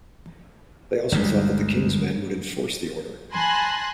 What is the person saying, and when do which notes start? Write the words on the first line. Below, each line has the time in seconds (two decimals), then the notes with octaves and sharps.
They also thought that the King's men would enforce the order.
1.12 G1 D2 G3 G#3
3.31 G#5 A5 B5 C6 F#6 A#6